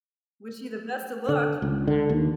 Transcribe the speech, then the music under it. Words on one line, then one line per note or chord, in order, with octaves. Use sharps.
wish you the best of luck.
D3
C#2
D3
D#2